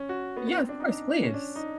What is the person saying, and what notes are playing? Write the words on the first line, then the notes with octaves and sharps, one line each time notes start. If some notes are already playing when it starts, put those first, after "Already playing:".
Yeah, of course, please.
Already playing: C#4
F#4
B3
B3
C4
D4
D#4
D4
C#4
D4
D#4